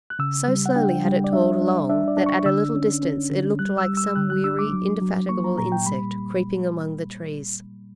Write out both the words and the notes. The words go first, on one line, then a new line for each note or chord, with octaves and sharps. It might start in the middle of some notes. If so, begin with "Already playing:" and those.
So slowly had it toiled along that at a little distance it looked like some weary, indefatigable insect creeping among the trees.
F#6
C#3 E6
G3
F#5
D4 G5
G3
D5
D4 E5
D4
D4 E5
D5
D4
C#6
D3 E6
C#4
C#4
D3
G3 F#6
E6
G3
E6
E6
D3 F#6
F#6
D4 E6
D6
F#3
F#3
A#3 C#6
A#5
A#2 A#5
G5
G3 B5